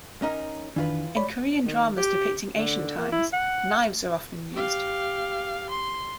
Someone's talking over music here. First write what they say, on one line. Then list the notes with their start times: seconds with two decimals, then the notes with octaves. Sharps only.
In Korean dramas depicting ancient times, knives are often used.
0.22 C#4 D#4 A#4
0.76 F2 D#3 E3 D4 F4 B4
1.16 C#5 D5 B5
1.66 D#3
1.97 G4
2.57 D3
2.98 A#3
3.12 E4
3.33 F#5
4.53 G4 F5
5.69 C6